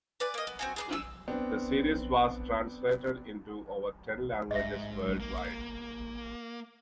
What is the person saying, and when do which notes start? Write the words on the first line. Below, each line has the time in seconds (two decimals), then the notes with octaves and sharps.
The series was translated into over ten languages worldwide.
0.20 B4 D5 G#5
0.34 A#3 D#5
0.47 B3
0.59 C4 F#4 G#5
0.76 G#4 B4 D5
0.93 E6
1.28 B3 C4 D4
4.51 G#2 D#5 E5
5.20 A#3